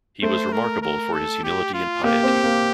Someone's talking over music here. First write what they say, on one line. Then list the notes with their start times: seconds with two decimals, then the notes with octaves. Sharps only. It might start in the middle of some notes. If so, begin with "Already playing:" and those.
He was remarkable for his humility and piety.
0.22 A3 C5
0.52 A#4
0.82 A#4
1.13 A4
1.44 G4
1.74 F4
2.04 A#3 G4
2.23 C4
2.43 A#3